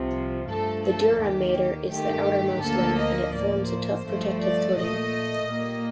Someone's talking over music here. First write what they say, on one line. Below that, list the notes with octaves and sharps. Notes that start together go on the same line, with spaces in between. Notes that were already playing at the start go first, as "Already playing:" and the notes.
The dura mater is the outermost layer, and it forms a tough protective coating.
Already playing: C2 C3 F3
G2 F3 A3 A4
A4
D#2 D#3 A#3 G4
G2 D#3 A3 G4
D2 D3 F3 A#3 A4
D#5
A2 F3 A#3 D5
C5
G2 F3 A3
D5
A#2 A3 D#5
A#2 G3 A#3